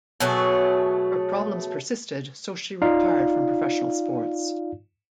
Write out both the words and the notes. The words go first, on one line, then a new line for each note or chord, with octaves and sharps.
Her problems persisted, so she retired from professional sports.
B2 F#3 A3 G#4
D#4 F4 D5 F5